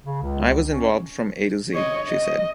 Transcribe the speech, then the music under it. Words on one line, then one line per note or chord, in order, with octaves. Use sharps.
"I was involved from A-Z," she said.
C#3
C#2
C#4
C#5 D#5
D#5